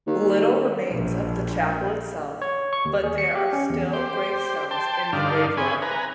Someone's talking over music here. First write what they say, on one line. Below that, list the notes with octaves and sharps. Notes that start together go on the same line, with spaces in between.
Little remains of the chapel itself but there are still gravestones in the graveyard.
D#2
A#1
C#5
C#6
D#2
G#4
C#7
G4
C#4
E2
G4 C5
G5 A5 C6
G2 D3 D#4 D5 F5
C4 G#4 C#5 G#5 B5
B4 G#5 A#5